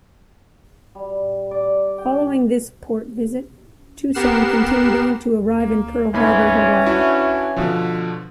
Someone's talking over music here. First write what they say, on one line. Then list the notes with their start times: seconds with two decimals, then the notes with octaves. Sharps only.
Following this port visit, "Tucson" continued on to arrive in Pearl Harbor, Hawaii.
0.95 G3
1.51 D5
1.98 G5
4.14 B3 G4 A#4 F#5 C7 E7
5.60 A#3
6.13 G1 G#2 E3 C#4 B5
6.86 D4 E4 F#4
7.56 B2 D3 F3